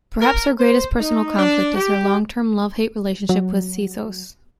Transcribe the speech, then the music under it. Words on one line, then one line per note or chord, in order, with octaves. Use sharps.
Perhaps her greatest personal conflict is her long term love-hate relationship with Sethos.
A#4
C5
D#4
D4
G4
F#3